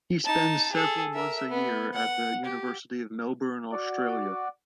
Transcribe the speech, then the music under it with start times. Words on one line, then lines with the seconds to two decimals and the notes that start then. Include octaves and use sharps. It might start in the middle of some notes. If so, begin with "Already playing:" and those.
He spends several months a year at the University of Melbourne, Australia.
0.25 D#4 A5
0.72 G#4 A4
1.14 A#4 E5
1.49 B3
1.94 F#5
2.45 G4
3.71 F#4 D5